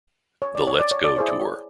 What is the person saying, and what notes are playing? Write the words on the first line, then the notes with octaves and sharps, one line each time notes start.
The Let's Go Tour.
C#5
D5
C#5
D5
C#5
D5
E4 G#4 C5 C#5
D5
C#5